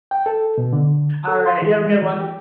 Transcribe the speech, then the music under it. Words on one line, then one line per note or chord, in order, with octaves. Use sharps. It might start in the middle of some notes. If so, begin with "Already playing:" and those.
alright, you have a good one.
G5
A4
B2
D3
A4
C6
E3
G#3
E3
G4